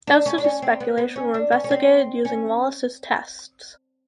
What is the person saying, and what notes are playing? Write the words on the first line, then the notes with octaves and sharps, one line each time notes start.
Doubts of this speculation were investigated using Wallice's tests.
D4
C#4
D4
C#4
C4
B3
B3
C#4
D4
C#4
C#4
C4
C#4